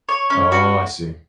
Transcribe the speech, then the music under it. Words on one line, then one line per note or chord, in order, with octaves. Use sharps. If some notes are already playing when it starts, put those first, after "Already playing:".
Oh, I see.
C#5
C#4
F#4